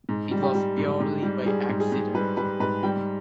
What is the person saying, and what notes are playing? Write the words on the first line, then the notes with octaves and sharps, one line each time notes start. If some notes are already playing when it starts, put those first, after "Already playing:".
It was purely by accident.
G#2
G3
G4
G3
G#2
G#2
G3
G3 G#4
G#2
G#4
G#2
G3 B4
G3 B4
G#2 B4
G3 G5